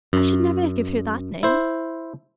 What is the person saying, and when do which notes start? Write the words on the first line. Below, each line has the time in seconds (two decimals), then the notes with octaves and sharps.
I should never give her that name.
0.13 F#2
1.43 E4 C5